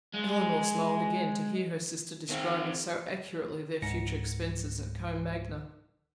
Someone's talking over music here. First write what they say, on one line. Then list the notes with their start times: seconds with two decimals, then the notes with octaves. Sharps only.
Elinor smiled again, to hear her sister describing so accurately their future expenses at Combe Magna.
0.14 G#3
2.29 D#3 C4
3.82 C#2 G#2 A#6 C#7